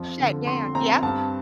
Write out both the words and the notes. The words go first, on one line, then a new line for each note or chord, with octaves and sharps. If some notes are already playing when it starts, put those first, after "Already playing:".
shut down Yep.
Already playing: F2 F3
D3
C4 C6
C4 A#5
G2 A5